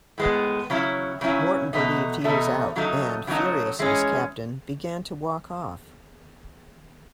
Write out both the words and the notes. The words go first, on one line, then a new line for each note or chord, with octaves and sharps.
Morton believed he was out, and, furious at his captain, began to walk off.
A2 G#3 B3
C#3 F#3 C#4 E4
C#3 F#3 C#4 E4
E2 B2 A3 D#4
E2 B2 A3 D#4
C#3 F#3 A3 D#4
C#3 F#3 A3 D#4
E3 G#3 C#4